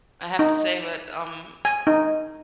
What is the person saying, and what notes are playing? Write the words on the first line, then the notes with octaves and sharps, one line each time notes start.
I have to say that, um,
D#4
G#5
D#4